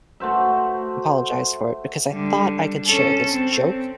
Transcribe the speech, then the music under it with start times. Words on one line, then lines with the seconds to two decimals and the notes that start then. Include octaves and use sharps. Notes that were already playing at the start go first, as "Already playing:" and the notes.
apologized for it because I thought I could share this joke
0.20 A3 F#4 C5 E5
2.12 D3 G3
2.87 C#4 A4
3.32 C4